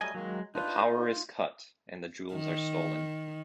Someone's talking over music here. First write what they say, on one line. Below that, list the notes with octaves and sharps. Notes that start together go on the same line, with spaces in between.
The power is cut, and the jewels are stolen.
F#3 G3 A3 D#5 G#5
D#3 F#3 G#3 A#3
D4 D#4 F4 B4
F4
D#3